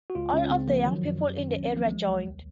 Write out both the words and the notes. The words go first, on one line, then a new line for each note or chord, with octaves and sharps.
All of the young people in the area joined.
F#4
C#2 F4
C#2 C#4
C#3 C4
F3 A#3
D#3 F#3
F#2
F#2 F#3
D#3
C#2 C#4
C4
F3 A#3
C2 G#3
G#3
C2 F#3
D#2